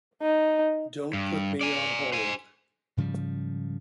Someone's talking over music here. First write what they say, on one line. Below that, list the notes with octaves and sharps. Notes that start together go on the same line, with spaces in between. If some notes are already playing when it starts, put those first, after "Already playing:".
Don't put me on hold.
D#4
G2
D5 G#5
C5 G#5
G#2 C#3 F3 G3